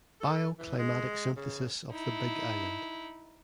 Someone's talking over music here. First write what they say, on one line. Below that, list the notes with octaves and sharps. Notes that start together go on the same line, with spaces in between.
Bioclimatic synthesis of the Big Island.
A4
E3
G#3
C#3
D#4 E4